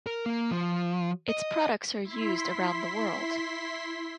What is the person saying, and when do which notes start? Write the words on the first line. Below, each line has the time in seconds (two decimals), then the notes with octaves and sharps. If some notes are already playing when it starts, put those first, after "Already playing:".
Its products are used around the world.
0.06 A#4
0.26 A#3
0.51 F3
1.29 D#5
2.04 E4 C6 B6